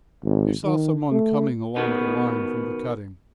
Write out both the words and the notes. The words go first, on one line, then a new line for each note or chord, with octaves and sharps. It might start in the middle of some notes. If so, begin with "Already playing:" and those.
He saw some one coming along the line from the cutting.
G#1
D#3
A3
B2 D#3 B3